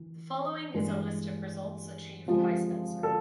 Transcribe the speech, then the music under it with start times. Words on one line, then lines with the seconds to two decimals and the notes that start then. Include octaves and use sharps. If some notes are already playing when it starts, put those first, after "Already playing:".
The following is a list of results achieved by Spencer.
Already playing: E3
0.73 G2 E3 G#3
2.26 C3 F3 G#3
3.03 A4